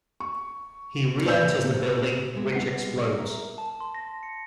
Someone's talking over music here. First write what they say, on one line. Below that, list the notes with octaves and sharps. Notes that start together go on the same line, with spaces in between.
He re-enters the building, which explodes.
C#6
A#2 B4 D5 E6 G6
C3
C3 G#3 B3
G3 F#5 C7
A#4 E5
A5
C6
A#6
C#7